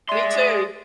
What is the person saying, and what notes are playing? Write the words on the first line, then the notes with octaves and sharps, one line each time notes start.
Me too.
G#4 D5 E5 C6